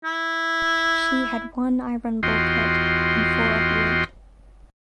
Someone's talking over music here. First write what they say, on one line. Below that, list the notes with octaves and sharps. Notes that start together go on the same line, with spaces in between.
She had one iron bulkhead and four of wood.
E4
E2 F4 F#4 D#5 G5 C6